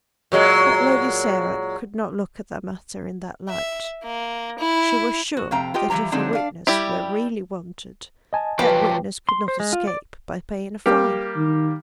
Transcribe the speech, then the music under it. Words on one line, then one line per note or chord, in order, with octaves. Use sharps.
But Lady Sarah could not look at the matter in that light. She was sure that if a witness were really wanted, that witness could not escape by paying a fine.
A#2 F#3 G#3
E5
A#3
E4
F#4
F2 C3 F5 G5 A#5
F4 G4 D#5 G5
E3 F3 G3 G4 A#5
D3 F3 F#3 C4 D4 D#4
D4 F5
G3 E4 G4
D#5 G#5 A5
F3 F#3 G4 B4
C6
C5
G#3
F4
D5
G3 A#3 G4
D#3